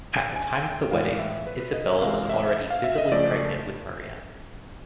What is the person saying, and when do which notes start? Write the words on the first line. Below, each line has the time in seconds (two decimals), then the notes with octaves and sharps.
At the time of the wedding, Isabella was already visibly pregnant with Maria.
0.36 G#5
0.64 G5
0.91 A2 E3 G#3 F5
1.18 E5
1.47 B4
1.60 B4
1.74 D#5
1.88 E5
2.01 C3 E3 G#3 F5
2.29 E5
2.70 F5
2.84 E5
2.98 D#5
3.11 C#3 F3 A3 D5